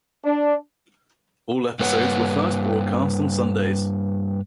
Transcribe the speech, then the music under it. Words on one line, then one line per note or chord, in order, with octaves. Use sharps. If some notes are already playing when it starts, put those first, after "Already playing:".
All episodes were first broadcast on Sundays.
D4
G2 A#3 B4 C#5 F#5